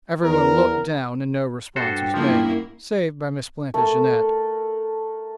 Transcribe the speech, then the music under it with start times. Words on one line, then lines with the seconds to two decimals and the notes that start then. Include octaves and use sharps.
Everyone looked down and no response was made, save by Miss Plantagenet.
0.24 E2 A#4
1.76 G2 F#4 G4 A4 C5
2.14 F#2 F3 A#3 E4
3.74 A3 A4 A#4